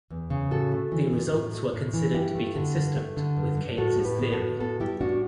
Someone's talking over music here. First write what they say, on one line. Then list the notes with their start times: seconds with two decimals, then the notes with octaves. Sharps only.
The results were considered to be consistent with Keynes' theory.
0.10 E2
0.30 C#3
0.51 A2 F#4 A4
0.72 A3
0.92 E3
1.13 A2
1.32 A2
1.53 A3
1.73 A2
1.94 E3
2.14 G2 E4 G4
2.35 A3
2.55 D3
2.76 G2
2.96 A3
3.17 D3
3.37 G2
3.57 G2
3.77 A2 F#4 A4
3.98 A2
4.05 G4 B4
4.19 B3
4.32 F#4 A4
4.39 A2
4.60 B3 F#4 A4
4.80 G3 E4 G4
5.00 A2 D4 F#4